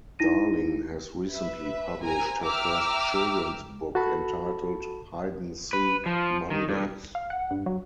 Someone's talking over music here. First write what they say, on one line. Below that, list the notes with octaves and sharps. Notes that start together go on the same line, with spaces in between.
Darling has recently published her first children's book entitled "Hide 'n Seek Mondays".
D#4 E4 A#6 D#7
B4 E5
C4 A#4 G#5 A#5
E5 G5 A#5 D6 E6 F6
F#4 A4 A5 B5
B4
F3
D#3
G2
F5
F#5
G2
F#3